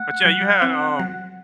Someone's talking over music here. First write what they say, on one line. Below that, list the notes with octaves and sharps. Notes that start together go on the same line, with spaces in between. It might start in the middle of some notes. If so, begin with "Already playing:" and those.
but, yeah, you had, um
Already playing: A3 F#5
F#3
C4
F#3